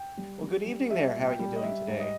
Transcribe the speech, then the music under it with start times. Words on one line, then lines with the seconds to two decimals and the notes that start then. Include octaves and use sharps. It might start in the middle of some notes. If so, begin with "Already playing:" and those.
Well, good evening, there. How are you doing today?
Already playing: G5
0.17 G3
0.42 G3
0.66 G3
0.90 G3 E5
1.15 A#2
1.27 G5
1.39 G3
1.56 D#5
1.63 G3 E5
1.88 G#2
2.00 D#5